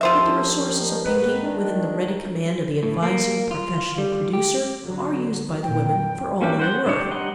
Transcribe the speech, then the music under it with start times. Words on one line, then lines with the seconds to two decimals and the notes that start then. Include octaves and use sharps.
But the resources of beauty within the ready command of the advising professional producer are used by the women for all they are worth.
0.01 C2 D#3 F3 F4 C5 E5
1.05 G#2 D#3 B4
1.43 D#3 D4
2.83 A2
3.03 A#3
3.51 F4
3.98 G3
4.33 G4
4.82 D3 F#3
5.62 F2 A#2 G5
6.42 G3 A#3 C#4 D4 G4
6.59 C5 F#5 C6
6.86 G3 D4 G4 C#5
7.11 G3 D#4 F#5 C6